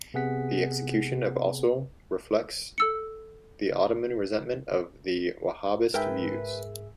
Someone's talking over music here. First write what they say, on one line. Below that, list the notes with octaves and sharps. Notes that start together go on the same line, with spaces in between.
The execution of also reflects the Ottoman resentment of the Wahhabist views.
C3 B3 G#4 F#5 B6
A4 E6 C#7
G#2 G#4 A#4 B4 E5 G5